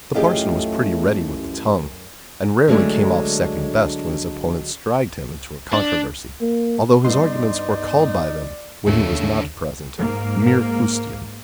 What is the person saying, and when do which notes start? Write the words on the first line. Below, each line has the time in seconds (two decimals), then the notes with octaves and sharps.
The parson was pretty ready with the tongue, and rarely came off second best when his opponents dragged him into a controversy, although his arguments were called by them, when he was not present, "mere fustian."
0.14 A1 F#2 A3 F4 G4 G#4 D#5 F5
2.68 D3 F#3 G#3 A3 D4
5.73 D4
6.41 A#3
7.05 G2 B3 D#4 D5 C6
8.87 D#2 D3 A3 C#4
9.98 G#2 A#3